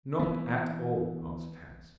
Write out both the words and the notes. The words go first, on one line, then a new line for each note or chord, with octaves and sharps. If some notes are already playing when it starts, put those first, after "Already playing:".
'Not at all!' answered Hans.
E3 B3